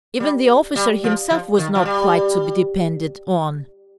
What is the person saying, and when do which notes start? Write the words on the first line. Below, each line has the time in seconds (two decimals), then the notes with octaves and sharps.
Even the officer himself was not quite to be depended on.
0.20 G3
0.76 G3
1.04 F3
1.31 F3
1.58 D#3
1.75 F3
1.86 G3